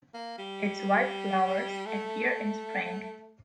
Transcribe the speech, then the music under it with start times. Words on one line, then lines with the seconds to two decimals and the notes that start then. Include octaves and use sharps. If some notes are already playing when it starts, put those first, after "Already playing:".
Its white flowers appear in spring.
0.14 A#3
0.38 G3
1.86 A3